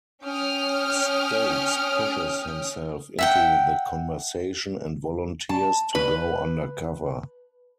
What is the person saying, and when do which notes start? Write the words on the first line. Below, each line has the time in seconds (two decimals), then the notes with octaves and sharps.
Stokes pushes himself into the conversation and volunteers to go undercover.
0.23 C#4 G5 D#6 F6
3.19 E5 F#5 G5
5.49 A5
5.95 B4